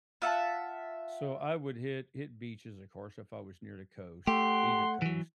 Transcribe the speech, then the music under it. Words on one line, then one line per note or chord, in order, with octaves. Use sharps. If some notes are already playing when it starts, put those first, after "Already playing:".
so, I would hit hit beaches, of course, if I was near the coast, either coast.
F4 E5 F#5 A5
A3 G4 F#5 C6
E3 F#3